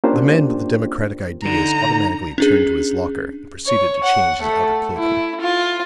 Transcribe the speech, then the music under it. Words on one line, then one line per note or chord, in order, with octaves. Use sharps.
The man with the democratic ideas automatically turned to his locker, and proceeded to change his outer clothing.
A#3 C#4 D4 F4 G4 C5
D3 D#4 A#5
C#4 D4 G#4
C#5
F#5
A3
E4
F4